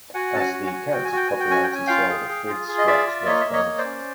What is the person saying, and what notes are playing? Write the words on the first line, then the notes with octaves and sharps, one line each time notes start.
As the character's popularity soared, Frid scrapped those plans.
F#4 F#5 G#5
C#4 A5
F#5 G#5
F#4
F#5 G#5
F#4
F#4 G5
G#5
F#4 G5
F#4 G#5
G5
C#4 G#5
G5
C#4 G#5
F4 F5 G5
G#4
G#4
F4
G#4
D#5
F4 D5 E5
F4
A#3 C#5 D#5
A#3 E5
C#5 D#5
A#3
C5 D5
C#4